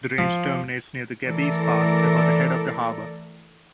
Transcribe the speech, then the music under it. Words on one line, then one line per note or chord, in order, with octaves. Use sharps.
The range terminates near Gebbies Pass above the head of the harbour.
F3
E3 A3 A4 A#4 D5